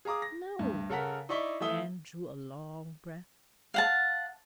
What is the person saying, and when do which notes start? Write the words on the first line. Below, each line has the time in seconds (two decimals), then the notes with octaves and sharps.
"No." Anne drew a long breath.
0.05 G#4 F5 A#5 D6 D#6
0.22 A#6
0.59 D2 G2
0.90 C#3 A4 A#4 F#5 A#5 B6
1.29 D#4 E4 D5 C#6 B6 G7
1.60 E3 A3 A4 E5 D#6 G7
3.74 F5 F#5 A5